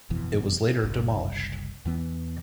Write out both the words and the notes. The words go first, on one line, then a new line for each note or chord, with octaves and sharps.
It was later demolished.
G1 F2 B2 E3
F#1 C2
E2 E3 B3